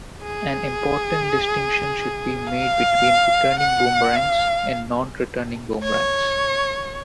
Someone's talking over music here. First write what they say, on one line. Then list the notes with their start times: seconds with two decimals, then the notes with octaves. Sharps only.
An important distinction should be made between returning boomerangs and non-returning boomerangs.
0.23 G#4
2.47 F5
3.59 F#5
4.16 F5
5.83 C#5